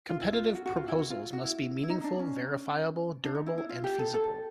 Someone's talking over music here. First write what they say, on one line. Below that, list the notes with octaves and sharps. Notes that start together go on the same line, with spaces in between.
Competitive proposals must be meaningful, verifiable, durable and feasible.
F4
E4
F4
F#4
F#4
F4
E4
F#4
F4
F#4
E4
E4
D#4
D4
C#4
D4
D#4
E4
E4
F4
G4
A4
A4